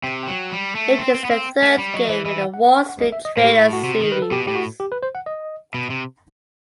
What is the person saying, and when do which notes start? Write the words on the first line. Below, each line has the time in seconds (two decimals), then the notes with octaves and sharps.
It is the third game in the "Wall Street Trader" series.
0.03 C3 G5
0.23 F#3 G5
0.51 G3
0.75 A3
0.98 C4 G5
1.14 C4
1.23 B3 F#5
1.31 C4
1.46 G5
1.62 A3
1.70 F#5
1.78 G3
1.94 F#3 D#5
2.05 D#5
2.09 E3 C5
2.25 E3 D#5
2.41 F#5
2.54 F#5
2.65 F#5
2.78 G5
2.89 F#5
3.00 D#5
3.12 E5
3.25 D#5
3.36 A2 C5
3.44 G4
3.48 A4
3.73 F#4
3.84 C3
4.00 D#3
4.12 B4
4.22 A4
4.32 B2 G4
4.47 A2 G4
4.56 F#4
4.80 G4
4.92 B4
5.03 C5
5.15 F#5
5.26 D#5
5.74 B2
5.90 C3